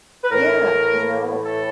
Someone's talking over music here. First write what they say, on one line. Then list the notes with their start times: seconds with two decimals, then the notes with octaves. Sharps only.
Yeah, you know
0.24 B4
0.30 A2 E3 A#4
1.45 A4